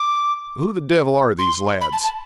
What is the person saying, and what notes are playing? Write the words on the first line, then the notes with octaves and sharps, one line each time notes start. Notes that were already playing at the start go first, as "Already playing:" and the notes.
Who the devil are these lads?
Already playing: D6
C6
B5
A5
A5